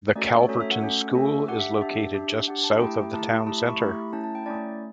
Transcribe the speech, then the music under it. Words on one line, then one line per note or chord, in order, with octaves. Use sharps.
The Calverton School is located just south of the town center.
A3 C#4 F#4 A4 D5
C#5
A3 C#4 F#4 A4 C#5
E5
F#5
A3 C#4 F#4 A4
A3 C#4 F#4 A4
D4 G4 F#5
E5
F#5
D4 G4 E5
D4 G4
D4 G4 F#5
A5
A3 E4 G4 G5
A3 E4 G4 A5
A3 E4 G4 A5
B5
C#6
A3 E4 G4 B5
A3 C#4 E4 A5
A5
G5
A3 C#4 E4 D5